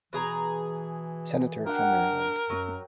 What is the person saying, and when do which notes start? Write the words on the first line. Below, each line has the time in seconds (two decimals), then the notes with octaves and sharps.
Senator from Maryland.
0.13 B2 E3 G#4 A#5
1.66 D4 A#4 F#5 G5
2.50 F#2 F#3